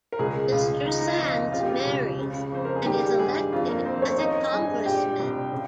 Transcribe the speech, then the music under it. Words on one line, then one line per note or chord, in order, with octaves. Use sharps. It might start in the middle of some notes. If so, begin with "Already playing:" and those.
Mr. Sands marries and is elected as a congressman.
A#4
C#2 G#3 G#4
C#2 F4
D#3 D#4
D#4
F4
F2
F4
C#3 F4
G4
F4
C#2
C#3
F2 C5
A#4
G#4
D#3 G3 G4
G4
G2 G#3 G#4
F2 F4
A#3 A#4
F2 C4 C5
C#4 C#5
D#3 D#4 D#5
G2 G#4 G#5
A#2 G4 G5
C2
C#3